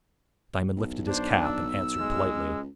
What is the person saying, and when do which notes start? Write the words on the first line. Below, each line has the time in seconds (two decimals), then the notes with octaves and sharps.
Diamond lifted his cap, and answered politely.
0.77 B1
1.07 D4 C5
1.43 E6
2.00 G#3
2.37 C#2